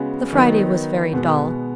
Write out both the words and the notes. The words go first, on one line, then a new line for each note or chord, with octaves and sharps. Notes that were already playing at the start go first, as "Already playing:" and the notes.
The Friday was very dull.
Already playing: C#3 G#3 B3 F#4
D#3 F#3 B3 D#4
B2 G#3 B3